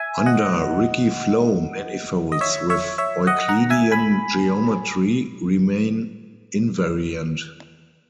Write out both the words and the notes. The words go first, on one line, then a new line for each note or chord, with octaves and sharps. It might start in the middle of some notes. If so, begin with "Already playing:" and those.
Under Ricci flow manifolds with Euclidean geometry remain invariant.
Already playing: E5 G#5
D#5 F#5
D#5
C#5 E5
C#5 E5
C#5 E5
D#5 F#5
F#5 A#5
E5 G#5
G#5 B5